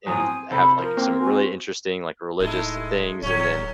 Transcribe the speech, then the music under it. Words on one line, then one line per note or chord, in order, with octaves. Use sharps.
and have, like, some really interesting, like, religious things, and then,
A2 F3 F#3 G#5 D#6
C4
C3 A4 C5 B5
F3 A#4
A#3 C4
F#4 G#5
D1 G#3 A3 D#4 E4
D1 D3 F#3 C#4 C#5